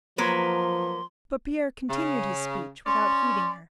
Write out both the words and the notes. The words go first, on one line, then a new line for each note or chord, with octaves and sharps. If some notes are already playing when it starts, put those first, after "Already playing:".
But Pierre continued his speech without heeding her.
F3 F#3 A#3 B4 C6
C#3
C#4 D5 C6